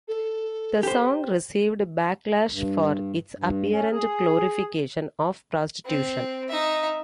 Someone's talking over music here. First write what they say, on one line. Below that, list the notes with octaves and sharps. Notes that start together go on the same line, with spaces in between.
The song received backlash for its apparent glorification of prostitution.
A4
G4 C5
G2
G2
C#4
G#4
C4
D#4 E5